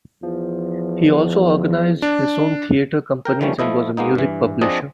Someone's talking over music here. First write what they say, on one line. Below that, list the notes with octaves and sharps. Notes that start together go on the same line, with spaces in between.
He also organised his own theatre companies and was a music publisher.
E2 F3
D4
A#4 G5
D#3 F3 G3 A3 C#4
F3 A3 E4 D#5
G#3 A#3 B3 D#4
G2 E3
F3 C4 D4 G#4 D#5